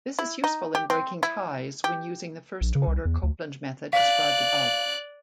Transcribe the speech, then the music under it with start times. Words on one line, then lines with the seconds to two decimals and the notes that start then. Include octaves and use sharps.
This is useful in breaking ties when using the first-order Copeland method described above.
0.19 E4
0.44 D#4
0.75 G4
0.90 C4
1.23 E4
1.84 G4
2.61 A#1
2.75 C#3
2.87 C2
3.05 E2
3.23 D2
3.93 D5 F5 F#6